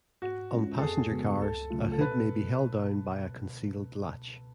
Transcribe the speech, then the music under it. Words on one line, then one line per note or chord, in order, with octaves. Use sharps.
On passenger cars, a hood may be held down by a concealed latch.
G#2 F#4
G#3 C#4 F4
A4
F2 G#4
C#3 G#3 B3 F#4
C#2 A4
C#3 F#3 A3 F4
A4
B2 B4